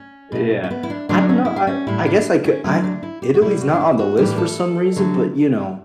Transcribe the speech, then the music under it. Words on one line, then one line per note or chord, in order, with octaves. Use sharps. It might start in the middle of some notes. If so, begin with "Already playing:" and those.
Yeah, I don't know, I I guess I could I Italy's not on the list for some reason, but, you know,
Already playing: C#4
B2 A3
C#4
B3
E4
D4
D3 F#3 A3 D4
C#4
E4
D4
C#4
A2 G3 E4
D4
C#4
D3 F#3 A3 C#4
D4
E4
G4
F#4
B2 G3 E4
F#4
D4
E4
F#4
A2 E3 G3 G4
A4
D3 F#3 A3